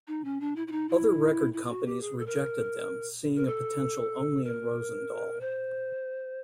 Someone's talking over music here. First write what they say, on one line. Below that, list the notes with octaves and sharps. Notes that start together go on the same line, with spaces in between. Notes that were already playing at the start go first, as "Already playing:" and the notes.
Other record companies rejected them seeing a potential only in Rosendahl.
D#4
C#4
D4
E4
E4
D#4
E4
E4
F4
F#4
G4
G#4
A4
A#4
A#4
A4
A#4
C5